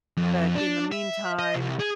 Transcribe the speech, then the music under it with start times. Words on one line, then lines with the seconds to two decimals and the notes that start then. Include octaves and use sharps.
but in the meantime,
0.17 F2
0.55 D4
0.92 E5
1.39 D#5
1.54 C2
1.80 G#4